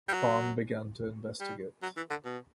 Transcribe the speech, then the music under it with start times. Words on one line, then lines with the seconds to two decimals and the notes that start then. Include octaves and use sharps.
Paan began to investigate.
0.08 G3
0.13 F#3
1.40 G3
1.82 F#3
1.97 E3
2.10 D3
2.25 B2